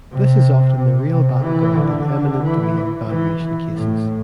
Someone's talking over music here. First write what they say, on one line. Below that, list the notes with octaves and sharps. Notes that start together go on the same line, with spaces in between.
This is often the real battleground in eminent domain valuation cases.
C3
C3
C3
E3
D3
E3
E3
A2